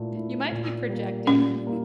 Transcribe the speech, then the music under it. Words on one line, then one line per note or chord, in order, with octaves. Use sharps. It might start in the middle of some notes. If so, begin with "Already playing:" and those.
You might be projecting.
Already playing: A#2 A3 E4
A3 E4
A#2
G3 A#3
A#2 C#4
G3 A#3